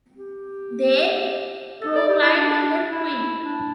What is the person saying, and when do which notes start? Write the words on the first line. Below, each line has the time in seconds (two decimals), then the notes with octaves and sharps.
They proclaimed her queen.
0.17 G4
1.81 A4
1.95 D5
2.09 G4
2.22 E4
2.36 D4
2.90 E4
3.45 D4